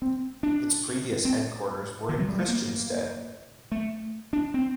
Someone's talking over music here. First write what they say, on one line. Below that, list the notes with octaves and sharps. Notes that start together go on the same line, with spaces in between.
Its previous headquarters were in Christiansted.
C4
D4
C4
D#3
F#3
G3
A3
A#3
A3
D4
C4